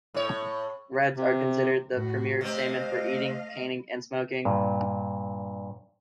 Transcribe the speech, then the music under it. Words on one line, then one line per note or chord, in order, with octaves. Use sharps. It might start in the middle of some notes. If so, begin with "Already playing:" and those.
Reds are considered the premier salmon for eating, canning, and smoking.
A2 C#5
C3
A2 F#4
C3 A3 C4 D#5 F5
G2 A#2